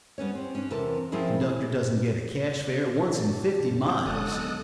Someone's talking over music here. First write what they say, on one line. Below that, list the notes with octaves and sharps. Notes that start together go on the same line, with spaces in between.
Conductor doesn't get a cash fare once in fifty miles.
G3 B3 C#4 C#5
C4
C#4 D4
E2 C3 A4 A#4 A5
F3 C4 C#4 E4 G#4 A#4
G#4
B2 G3 D4 D5
F#2 D3 C#4
G3 G6
E1 G#3 A4 D#6 F#6
D#2 F#3 B3 D#5